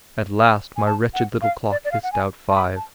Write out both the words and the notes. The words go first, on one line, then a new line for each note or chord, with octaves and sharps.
At last my wretched little clock hissed out five.
G#5
A5
F#5
F5
D5
D5
F5
F#5
G#5
A5
B5
A5